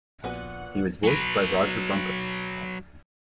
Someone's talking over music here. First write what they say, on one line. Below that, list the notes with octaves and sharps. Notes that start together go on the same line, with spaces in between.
He was voiced by Rodger Bumpass.
A#1 A#2 B3 F#4 F#5 G#5
F#3 B4